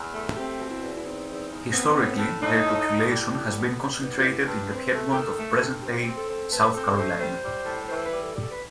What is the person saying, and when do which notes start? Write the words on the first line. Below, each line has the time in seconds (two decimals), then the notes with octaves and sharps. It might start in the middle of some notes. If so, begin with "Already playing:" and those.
Historically, their population has been concentrated in the Piedmont of present-day South Carolina.
Already playing: E2
0.13 A3
0.36 C4 G4
0.59 B2
0.70 E4
0.82 E2
0.97 E4
1.04 C4 D#4
1.27 E2
1.50 E2
1.73 B3 C4
1.96 A2
2.18 A2
2.41 A2 D#4
2.65 A2
2.87 A2
3.09 G3 E4
3.32 A2
3.55 B3
3.78 G3
4.01 B3 D#4
4.18 F#4
4.24 G3 E4
4.47 G2 B4
4.69 C4
4.92 A3
5.11 G4
5.15 D#3 A4
5.38 A3
5.60 G2
5.83 C4 G4
5.93 F#4
6.02 C4 G4
6.17 A4
6.29 C4
6.52 A3 B4
6.75 C4 A4
6.97 A3 C5
7.20 G3 C5
7.43 G3
7.66 A2
7.89 E3 C5
8.06 B4
8.12 G3
8.23 A4
8.34 G3
8.40 A4
8.51 B4